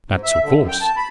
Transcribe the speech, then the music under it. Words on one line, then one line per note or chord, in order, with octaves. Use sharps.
That's of course.
G#2
E5
D3
F#2
G5
A5
B5